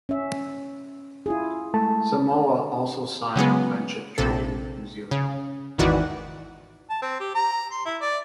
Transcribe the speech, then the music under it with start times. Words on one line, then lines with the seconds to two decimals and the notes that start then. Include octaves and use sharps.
Samoa also signed a friendship treaty with New Zealand.
0.09 C#4 E5
1.26 E4 F4 G#4
1.74 G#3 A3 A5
3.36 C#3 F#3 G#3 B3
4.18 A#1 C3 A4
5.11 C#3
5.78 G#1 E2 D#3 E3 F#4 D5
6.90 A5
7.02 C4
7.20 G4
7.35 A#5
7.72 C6
7.85 E4
8.01 D5